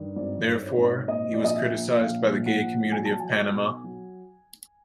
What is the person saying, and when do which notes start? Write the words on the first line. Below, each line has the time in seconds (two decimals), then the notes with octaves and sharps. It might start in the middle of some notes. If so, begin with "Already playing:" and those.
Therefore, he was criticized by the gay community of Panama.
Already playing: G2 D#3
0.16 G#1 D5
0.47 D#3
0.62 C#5
0.77 G#1
1.08 A#2 D#5
1.33 D5
1.39 A#1 D#5
1.54 E5
1.70 A#1
2.00 A#1 F5
2.31 A#1
2.46 F#5
2.61 A#1
2.92 F#3 G#5
3.05 A5
3.19 F#3 G#5
3.53 B1
3.84 F#3